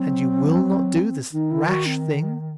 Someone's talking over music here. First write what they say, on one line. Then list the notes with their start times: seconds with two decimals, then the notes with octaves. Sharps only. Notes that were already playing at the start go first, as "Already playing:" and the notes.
"And you will not do this rash thing?"
Already playing: F#3 C4
0.62 F#3
1.33 D#3 D#4
1.51 E4
1.68 F#4
1.86 C4